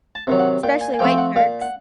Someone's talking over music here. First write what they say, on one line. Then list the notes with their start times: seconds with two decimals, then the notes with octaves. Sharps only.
especially white sharks.
0.15 A5
0.27 C3 D#3 F#3
0.39 F#5
0.63 A#2 G5
0.81 G#5
0.94 G#5
0.99 F3 A3 C4 G5
1.10 G5
1.18 F#5
1.36 A#2 F5
1.62 F#5